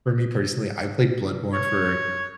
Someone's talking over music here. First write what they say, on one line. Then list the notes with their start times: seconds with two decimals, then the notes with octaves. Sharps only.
for me, personally, I played Bloodborne for
1.53 C#5